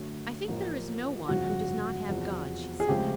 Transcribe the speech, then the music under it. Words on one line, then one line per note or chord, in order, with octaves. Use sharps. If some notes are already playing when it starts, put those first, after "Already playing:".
"I think there is no one who does not have God," she said.
Already playing: F#2 D3 F#3 A3
A1 A2 F3 A#3
G1 F2 C#3 F#4
E2 C3 F3
G#4
C#2 C#3 F3 A3 C4 G4